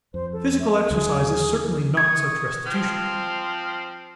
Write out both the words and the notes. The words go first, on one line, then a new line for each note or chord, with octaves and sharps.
Physical exercise is certainly not such restitution.
F2 C5
A4
E5
D#2 D3 F#3 G#4
C#6 D#6 G#6
F3 C4 F6